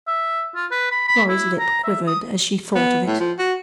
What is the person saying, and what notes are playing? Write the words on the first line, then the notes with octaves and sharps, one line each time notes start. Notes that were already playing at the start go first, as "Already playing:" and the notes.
Florrie's lip quivered as she thought of it.
E5
F4
B4
B5
B5
E4
A#5
E5
D#6
B3
A2
F3
F#4